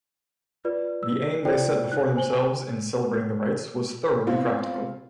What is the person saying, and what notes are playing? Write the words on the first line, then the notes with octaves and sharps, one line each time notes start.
The aim they set before themselves in celebrating the rites was thoroughly practical.
F4 B4 D5
E6
E4 F4 A4 C5 D5 G5
D#4 F#6
C5 G#5 F#7 G7
B3 C4 E4 F4